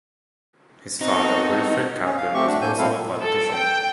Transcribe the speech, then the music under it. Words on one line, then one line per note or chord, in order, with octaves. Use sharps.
His father, Wilfred Caplan, was also a politician.
B3 C4 D#4 F#4 A4
C#4
F5
A3 C4 G4 C#6
A3 D4 F#4
A2 A#3 A4 G#5 G6
F#3 G#3 C4 E4 A4 F5
A4
G5